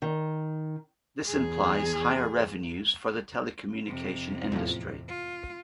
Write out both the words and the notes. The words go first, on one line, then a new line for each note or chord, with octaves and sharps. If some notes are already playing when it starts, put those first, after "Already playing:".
This implies higher revenues for the telecommunication industry.
D#3
E2 G#4
F2 C3
E2 A2 F3
F4